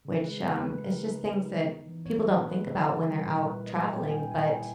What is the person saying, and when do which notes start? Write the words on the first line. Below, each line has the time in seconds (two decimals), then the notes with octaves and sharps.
which, um, it's just things that people don't think about when they're out traveling, but,
0.05 C#3
0.25 G#3 B4
0.45 C#3 B4
0.65 D#4 B4
0.85 G#3 A#4
1.05 D#4
1.26 D#4
1.45 D#4
1.65 B3
1.85 E3
2.05 B3 C#5
2.25 B3 B4
2.46 B3 B4
2.66 C#3
2.86 E3
3.06 G3
3.26 A#2 A#4
3.47 E4 B4
3.66 A#3 D#5
3.86 A#2 G5
4.07 A#2 G#5
4.19 G5
4.27 E4 G#5
4.46 E4